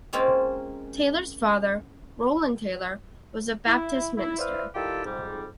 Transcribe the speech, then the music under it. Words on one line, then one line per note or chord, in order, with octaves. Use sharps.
Taylor's father, Roland Taylor, was a Baptist minister.
G#3 A#3 C4 C#4 F4 A#4
E4
E4
E4 B4 C5 D5 E5 F5
D#3 G3 E4 F4 G4 A4
F2 G#2 G3